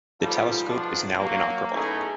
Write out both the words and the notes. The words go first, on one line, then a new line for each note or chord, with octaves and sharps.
The telescope is now inoperable.
A1 G#2 F3 G3 F4 A4
B1 F3 D4
F#3 A#3
B2 A3 C#4 D#4 E4 G#4